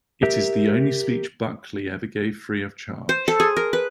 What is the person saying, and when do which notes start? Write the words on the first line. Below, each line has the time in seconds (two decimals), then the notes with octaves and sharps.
It is the only speech Buckley ever gave free of charge.
0.23 G4 A#4 E5
3.09 C5
3.28 A4
3.40 G#4
3.56 A#4
3.73 B4